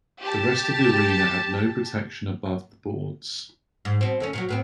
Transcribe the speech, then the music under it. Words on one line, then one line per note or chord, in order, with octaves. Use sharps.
The rest of the arena had no protection above the boards.
G4 A5
G#2
B2 C4
D#2 A3 C#4
A#2 D#3 F#3
A2 B3 C4